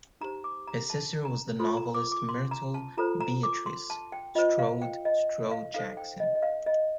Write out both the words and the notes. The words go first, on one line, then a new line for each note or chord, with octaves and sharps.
His sister was the novelist Myrtle Beatrice Strode Strode-Jackson.
D#4 G4 C5 A#5
D6
A#5
A5
A#5
F4 A4 C5 C6
A#5
D6
D6
C6
A#5
A5
F4 A4 C5 A#5
A#5
D6
C6
A5
G5
F4 C5 D#5
F5
G5
D#5
F5
D#4 A4 C5 F5
G5
D#5
D#5
F5
D#5